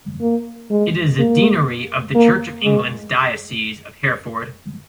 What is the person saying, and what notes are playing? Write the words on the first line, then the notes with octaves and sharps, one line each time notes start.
It is a deanery of the Church of England's Diocese of Hereford.
A#3
G#3
A#3
A#3
G#3